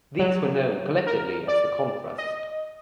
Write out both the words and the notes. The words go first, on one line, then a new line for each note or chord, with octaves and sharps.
These were known collectively as the Contras.
F#3
A#4
D5
D#5